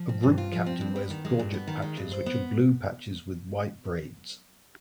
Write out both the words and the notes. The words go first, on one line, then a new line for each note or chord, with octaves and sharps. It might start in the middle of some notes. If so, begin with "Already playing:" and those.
A group captain wears gorget patches which are blue patches with white braids.
Already playing: F3
C4
G2
F4
F3
C4
G2
B3
D#3
G#3
G2
B3
D#3
G#3
G2
C5
B3